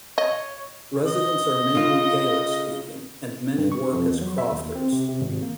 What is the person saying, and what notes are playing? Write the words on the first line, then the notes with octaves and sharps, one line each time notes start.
Residents are mainly Gaelic speaking, and many work as crofters.
C#5 D#5
D#5
C#3 F4
G2
C#6
F2
E2
F#3
E5
D#2
C4
C3
C3
G#1
A#3